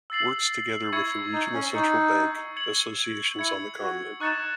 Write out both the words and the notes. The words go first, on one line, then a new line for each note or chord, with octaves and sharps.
Works together with the Regional Central Bank Associations on the Continent.
E6 A6 C7 F#7
E4 C#6 G#6 C#7
D#4
C#4
D#4 C#6 G#6 C#7
G#6 C#7 F#7
E4 G#6 C#7 F#7
F#4
D#4 C#6 F#6 A6 C#7 E7